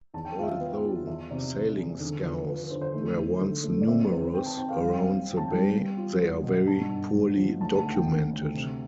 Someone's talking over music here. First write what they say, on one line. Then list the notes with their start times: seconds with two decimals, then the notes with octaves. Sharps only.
Although sailing scows were once numerous around the Bay, they are very poorly documented.
0.14 E2 A5
0.25 G5
0.38 F4 F5
0.43 E5
0.48 F5
0.60 B3
0.84 F4
1.07 E2 E5
1.30 C3 D5
1.53 C3 C5
1.78 E2
2.00 D3
2.23 F3
2.46 F4 B4
2.58 B4
2.70 D3 C5
2.81 C5
2.94 A3
3.17 E4
3.40 D3
3.63 A3
3.81 D5
3.87 C4 E5
3.99 D5
4.10 C4 B4
4.22 C5
4.33 C4 G5
4.46 A5
4.57 C4 G5
4.69 F5
4.80 G3 F5
4.91 G5
5.01 C4 F5
5.27 C4 G5
5.37 A5
5.48 G3 G5
5.74 B3
5.97 F4
6.21 B3
6.44 B2
6.67 G2 A5
6.91 G2
7.13 G2
7.37 F3
7.61 D2 A5
7.76 A5
7.83 D2
7.92 G5
8.07 D2 G5
8.31 D2
8.54 C3